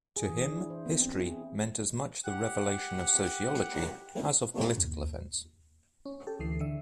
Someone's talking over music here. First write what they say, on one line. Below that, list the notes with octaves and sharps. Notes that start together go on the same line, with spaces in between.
To him, history meant as much the revelation of sociology as of political events.
G#4
E3
D4
E4
C5
B3
C4
E4
G#4
G4 F#5
D#2
C#4
G4 A4
D2 E3 C7
D3 E5